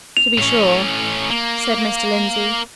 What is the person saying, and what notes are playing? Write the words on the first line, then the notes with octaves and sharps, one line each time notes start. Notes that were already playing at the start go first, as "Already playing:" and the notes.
"To be sure," said Mr. Lindsey.
F7
A2 C#4
A#3